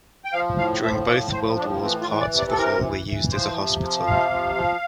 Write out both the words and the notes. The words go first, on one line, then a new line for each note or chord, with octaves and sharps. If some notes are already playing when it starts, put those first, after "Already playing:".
During both World Wars, parts of the hall were used as a hospital.
G5
F3 F5
A2 F5
F3 E5
A2 D5
F3 C5
A2 D4
E3 C4
F4
E3
D5
C3
D5
A4
E3 A#4
E3
E3
F3 C5
C3
F3
C3 F5
F3
F3